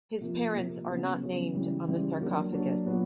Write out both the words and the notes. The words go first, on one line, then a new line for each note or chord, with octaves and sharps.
His parents are not named on the sarcophagus.
C3 F3 A#3
C3 F3 A#3
C#3 F#3 B3
C#3 F#3 B3
C#3 E3 G3 C4 E4
C#3 E3 G3 C4 E4
F#3 A#3 D4
F#3 A#3 D4
A#2 F#3 B3